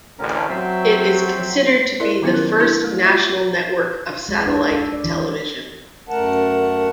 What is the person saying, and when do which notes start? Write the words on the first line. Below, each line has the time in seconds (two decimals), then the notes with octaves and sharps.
It is considered to be the first national network of satellite television.
0.19 A1 D2 D3 C#4 A#4
0.49 F#3 C4 C5 E5
2.00 E4 A4 A#4 D5 E5
2.22 D#3 F#3 B3 C#4 E4
2.34 A#4
2.59 D4 E4 G4 A#4
2.84 A3
3.04 F4 F#4 E5
4.29 G#3
4.46 D4
4.71 A4
4.93 D5
5.04 E3
6.09 F#2 A3 A#4 F#5 A5